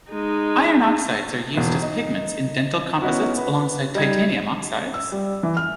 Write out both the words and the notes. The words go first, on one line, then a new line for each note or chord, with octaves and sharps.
Iron oxides are used as pigments in dental composites alongside titanium oxides.
G#3 D#4
E1 E3
D#4
B3 C#4 D#4 E4 F#4
B4
G3 D#4 G#6
E6
G3
E3
F6